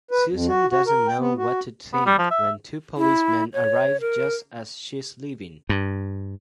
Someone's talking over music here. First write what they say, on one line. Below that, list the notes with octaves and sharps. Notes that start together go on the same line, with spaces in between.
Susan doesn't know what to think when two policemen arrive just as she's leaving.
B4
F2
F#4
F#4
A#4
G5
B3
F#4
B3
G3
F3
E5
E4
C#5
A#4
G2